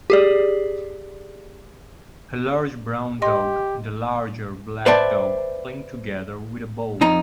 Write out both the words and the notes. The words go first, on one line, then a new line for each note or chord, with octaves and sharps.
A large brown dog and a larger black dog playing together with a ball.
G4 G#4 D5
G4 D#5 C6
B4 C5 D5 E5 G5 A5
F2 D#4 A#5